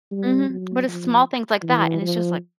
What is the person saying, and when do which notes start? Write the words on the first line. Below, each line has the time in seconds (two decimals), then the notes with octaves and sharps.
Mhm, but it's small things like that, and it's just like,
0.11 G3
0.49 F#3
0.88 F3
1.63 E3
2.01 F3